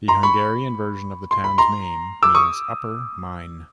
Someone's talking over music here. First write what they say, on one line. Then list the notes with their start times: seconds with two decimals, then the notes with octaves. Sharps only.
The Hungarian version of the town's name means "Upper Mine".
0.08 A#5 C6
0.23 B5 C#6
1.31 C6
1.44 B5
1.58 A#5 C6
2.23 D6 E6
2.35 C#6 D#6